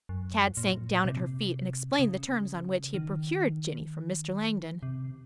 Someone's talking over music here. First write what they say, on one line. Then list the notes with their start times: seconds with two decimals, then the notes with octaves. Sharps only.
Tad sank down at her feet and explained the terms on which he had procured Jinny from Mr. Langdon.
0.09 F#2
0.57 A#2
1.05 C3
1.99 C#3
2.94 D#3
4.83 C3